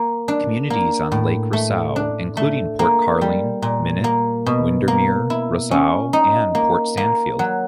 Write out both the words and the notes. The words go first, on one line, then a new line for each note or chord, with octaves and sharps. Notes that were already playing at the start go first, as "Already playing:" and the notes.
Communities on Lake Rosseau include Port Carling, Minett, Windermere, Rosseau and Port Sandfield.
Already playing: A#3
D4
A#3
A2
A3
D4
A3
A#3
G3
A#2
A#3
B2
A#3
E4
C#4
D#4
A#3
A#3
F#3